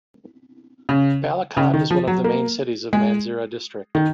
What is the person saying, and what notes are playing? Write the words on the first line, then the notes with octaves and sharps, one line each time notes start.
Balakot is one of the main cities of Mansehra District.
C#3
C#3
D#3
F3
F#3
A#3
G#3
D#3